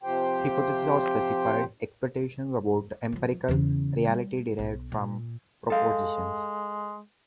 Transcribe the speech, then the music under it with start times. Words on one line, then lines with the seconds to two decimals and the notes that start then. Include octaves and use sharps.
Hypotheses are specified expectations about empirical reality derived from propositions.
0.03 C3 F3 G4 C5 G5
3.12 F3 F#3
3.48 E2 C#3
4.05 G3
4.59 B1
4.92 A#2
5.70 G#3 A4 F5